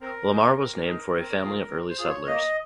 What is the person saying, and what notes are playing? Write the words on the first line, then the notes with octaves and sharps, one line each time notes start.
Lamar was named for a family of early settlers.
C4 A#4
D#4 G#4
C4
D#4 G#4
C4
F4 G#4
C4
C5
F4 G#4
C#5
A#3 D#5